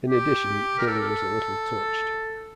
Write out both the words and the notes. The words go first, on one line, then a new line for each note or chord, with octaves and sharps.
In addition Billy was a little touched.
G4
A#4
A4